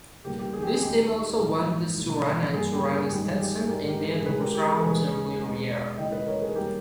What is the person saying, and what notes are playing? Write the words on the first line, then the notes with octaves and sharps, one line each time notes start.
This team also won the Surana and Surana Stetson India North Rounds earlier year.
E2 C#3 G3 A#3 G4
G4
G#4
G4
G#4
D#2 D#3 G#3 G4
A#1 G#2 E3 A#3
B1 B2 A#3
G1 G2 G3 A#3 G#4
G4 A#4
G#4
G1 G2 D#3 G#3 G4
G#4
G4
G#4
G#1 G#2 D#3 G#3 G4 A#4
G4 A#4
G#4
C#2 C#3 E3 G#3 G#4 B4
G4 A#4
G4
G#4
A#4
D#2 C#3 G#3 G#4 B4
E2 B2 G#3
D#2 C#3 E3 G#3 D#5 G5
B4 D#5
A#4 C#5
G#4 B4
E2 D#3 G3 A#3 G4 A#4